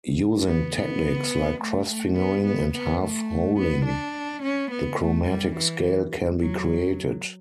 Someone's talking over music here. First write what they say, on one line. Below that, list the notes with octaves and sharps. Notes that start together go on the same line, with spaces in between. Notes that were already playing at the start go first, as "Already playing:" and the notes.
Using techniques like cross-fingering and half-holing, the chromatic scale can be created.
B3
B3
A3
A3
B3
B3
B3
A3
B3
D4
C#4
B3
A3
G3
E3
F#3